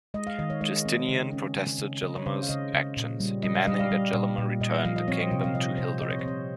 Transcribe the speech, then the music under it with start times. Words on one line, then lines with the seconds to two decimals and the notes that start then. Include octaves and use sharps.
Justinian protested Gelimer's actions, demanding that Gelimer return the kingdom to Hilderic.
0.14 G#3 D#5
0.27 F5
0.39 D#3 D#5
0.50 C#5
0.61 G#3 D#5
0.85 C4
1.09 C#3
1.33 C#4
1.56 C#3
1.78 C#3
2.02 C#3 D#5
2.16 C#5
2.26 C#3 C5
2.43 F5
2.49 C#3 D#5
2.74 C#3
2.97 A#2
3.20 G3
3.43 G3 D#5
3.55 F5
3.67 G3 D#5
3.79 F5
3.91 G3
4.13 A#2
4.38 A#2
4.61 A#2 D#5
4.85 F3 F5
4.96 D#5
5.08 C4 C#5
5.20 D#5
5.31 C3 D#5
5.44 F5
5.54 C3 D#5
5.78 C3 C5
6.01 C3 D#5
6.11 C#5
6.19 C5
6.26 C4 C#5